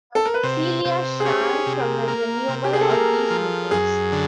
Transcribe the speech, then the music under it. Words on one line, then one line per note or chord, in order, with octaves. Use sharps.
Celia shrank from the renewal of these meetings.
A4
A#4
B4
C3 C5
C3 C5
G#4
C#4 G4
G4
G#4
C3
A#4
A#3 A#4
C3
G4
G#4
A4
A#3 A#4
F3
F#2 G#4
D3